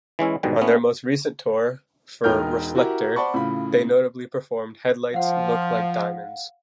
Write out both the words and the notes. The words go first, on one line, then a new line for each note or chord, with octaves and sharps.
On their most recent tour, for "Reflektor", they notably performed Headlights Look Like Diamonds.
E3 G#3 C#4 E4
G#2 B2 D3 D#3 G3 G#3
A3 B3 C#4
E1 D#4 A#4 G5 F6 G6
E4 F#4 G4 A#4 A#5
C5 D5 F#5 A5 B5 C#6
A2 C#3 F4 B5
F3 F5 F#5